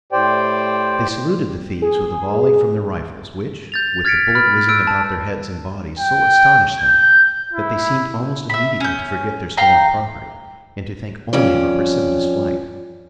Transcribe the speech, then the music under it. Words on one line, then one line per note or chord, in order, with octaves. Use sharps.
They saluted the thieves with a volley from their rifles, which, with the bullet-whizzing about their heads and bodies, so astonished them, that they seemed almost immediately to forget their stolen property, and to think only of a precipitous flight.
A2 G4 C5 D5 G5
G#4
G6 A6 F7
F6 G#6 A6 B6 C#7 D7
B5 F6
E6 F#6 D7
A5
G5
G6
E4
E5 B5
C#4 G6
F5 G5 A#5 B5
F2 C#4 D5